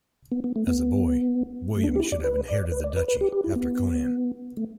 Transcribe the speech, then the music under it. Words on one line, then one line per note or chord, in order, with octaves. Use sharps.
As a boy, William should have inherited the duchy after Conan.
B3
B3
A3
B3
A3
D4
B3
G4
E4
D5
B4
D5
B4
D5
B4
B4
G4
G4
E4
B3
A3